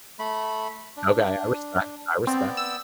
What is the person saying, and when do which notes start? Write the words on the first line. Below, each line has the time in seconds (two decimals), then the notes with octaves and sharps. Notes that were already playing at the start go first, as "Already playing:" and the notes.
okay. I respect, I respect.
0.19 A3 B5
0.97 D4
2.27 B3 C4 D5 G5
2.57 E6